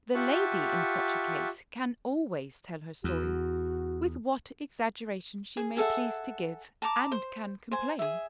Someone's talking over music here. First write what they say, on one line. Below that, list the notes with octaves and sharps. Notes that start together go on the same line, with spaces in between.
The lady in such a case can always tell her story, with what exaggeration she may please to give, and can complain.
F4 G4 E5 F#5 A5 C#6
E2 F#4
G#4
G#4 A4 E5 F#5
A5 A#5 D6
C5
C5 G#5
G#4 E5